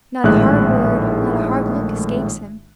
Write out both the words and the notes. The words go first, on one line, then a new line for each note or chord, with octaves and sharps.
Not a hard word, not a hard look, escapes him.
A#1 A2 D#3 G#3 E5 F#6